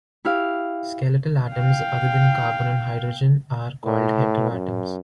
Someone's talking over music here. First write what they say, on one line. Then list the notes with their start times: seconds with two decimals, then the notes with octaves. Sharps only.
Skeletal atoms other than carbon or hydrogen are called heteroatoms.
0.25 E4 G4 F5
1.51 F5 G5
3.85 A2
4.50 F#2